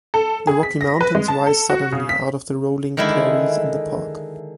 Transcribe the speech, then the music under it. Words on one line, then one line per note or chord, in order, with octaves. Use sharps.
The Rocky Mountains rise suddenly out of the rolling prairies in the park.
A4
G#4
B6
A#6
B4
G#3
A5
A4
F#4
C#3
B6
D3 D#3 G#3 D4 E4